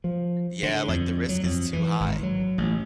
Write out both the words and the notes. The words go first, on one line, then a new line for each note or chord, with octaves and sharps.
yeah, like, the risk is too high.
F3
D3
F2
F#3
F2
E3
G#1
F#3
A1